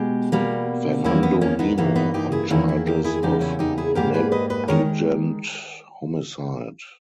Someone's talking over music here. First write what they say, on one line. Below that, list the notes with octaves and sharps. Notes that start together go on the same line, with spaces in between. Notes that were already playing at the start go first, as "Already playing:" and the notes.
Fernando Nino on charges of negligent homicide.
Already playing: B2 G#3 G4
B2 G3 A#3
E2 D#3 A#3 C#4 E4
B3
A#3 C#4
B3 D#4
G2 E3 A#3 B3 D#4
B3 D#4
D#4 G4
E4 G#4
E2 D#3 A#3 C#4 E4
E4 G#4
G4 A#4
E4 G#4
E2 C#3 G3 A#3 D#4 G4
C#4 E4
D#4 G4
E4 G#4
G#2 G3 A#3 G4 A#4
G#4 B4
B4 D#5
B4 D#5
D#3 G#3 A#4 C#5